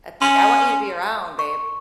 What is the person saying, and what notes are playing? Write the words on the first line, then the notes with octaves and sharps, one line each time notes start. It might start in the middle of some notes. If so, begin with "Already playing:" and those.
Uh like, "I want you to be around, babe."
C#4 C6
C#6